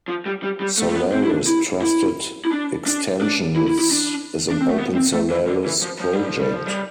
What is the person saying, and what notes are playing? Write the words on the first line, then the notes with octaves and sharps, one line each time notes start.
Solaris Trusted Extensions is an OpenSolaris project.
F3
G3
G3
G3
A3
A3
B3
C4
E4
D4
E4
E4
E4
D4
D4
D4
E4
E4
E4
D4
D4
C4
A3
B3
C4
A3
E3
D3
E3
F3
F3
G3
F3
G3
F3
G3